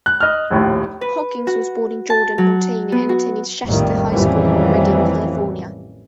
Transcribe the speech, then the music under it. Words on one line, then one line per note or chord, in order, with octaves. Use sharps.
Hawkins was born in Jordan, Montana and attended Shasta High School in Redding, California.
F#6
D#5 F6
A#1 D#2 A2
B4
F#4
A5
F#3
B3
F#4
A#1 F2 A2 D#3 G3
A1 F2 D#3 E3 F#3 G3